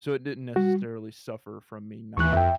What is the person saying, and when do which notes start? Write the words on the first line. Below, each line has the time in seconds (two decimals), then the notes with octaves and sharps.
So, it didn’t necessarily suffer from me not
0.56 G3 F#4
2.17 D#2 E3 C#6 F#6
2.33 F2 E5 G5